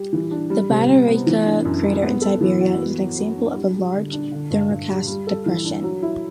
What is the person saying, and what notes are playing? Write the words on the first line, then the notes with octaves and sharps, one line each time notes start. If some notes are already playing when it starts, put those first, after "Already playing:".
The Batagaika crater in Siberia is an example of a large thermokarst depression.
Already playing: G3 G4
E3
D4
G3
C3
C3
B3
E3
D4
F#2
G3
B3
A4
E3
F#4
B3
F#3
F#3
D4
G3
G4
D3
D4
D3
G2
G2
G3
G3
A4
E3
D4
F#3
E4